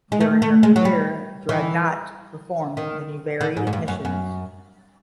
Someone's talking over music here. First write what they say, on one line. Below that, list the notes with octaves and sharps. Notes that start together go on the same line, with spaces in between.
During her career, "Dreadnought" performed many varied missions.
G#3
A3
A3
G#3
F#3
G3
E3
D#3
D3
G#2
G#2
G2
F#2
F#2